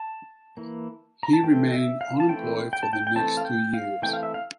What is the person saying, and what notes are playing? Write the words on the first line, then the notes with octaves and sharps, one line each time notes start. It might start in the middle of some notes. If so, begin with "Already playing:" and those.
He remained unemployed for the next two years.
Already playing: A5
E3 A#3
A#5
A5
E3 A3 C4 G5
E5
F5
A5
E3 A3 C4 G5
G5
A5
G5
G5
E3 A3 C4 A5
F5
G5
F5
E3 A3 C4 G5
F5
E5
F5